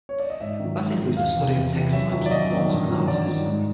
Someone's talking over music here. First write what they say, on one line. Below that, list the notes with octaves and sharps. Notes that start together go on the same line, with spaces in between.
That includes the study of text types and forms of analysis.
C#5
D5
D#5
G#2 E5
D#3 F#3
G#2
D#3 F#3
E2 F5
C3 E3
E2
C3 E3
F#2 E5
D#3 F#3
D5
F#2 D#5
D#3 F#3
G2
D#3 F#3
G2 D5
D#3 F#3
G#2